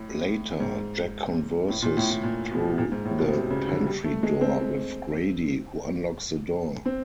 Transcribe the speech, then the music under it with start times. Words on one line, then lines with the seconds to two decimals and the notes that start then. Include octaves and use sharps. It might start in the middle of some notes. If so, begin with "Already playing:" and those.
Later, Jack converses through the pantry door with Grady, who unlocks the door.
Already playing: A2
0.60 G#2
1.69 A2
1.82 A#2
1.97 A2
2.10 A2
2.23 A#2
2.51 B2
2.78 A#2
2.92 G#2
3.05 A2
3.19 B2
3.32 C3
3.50 C#3
3.69 D3
3.87 G3
4.04 A3
4.23 G#3
4.41 C4
6.86 C4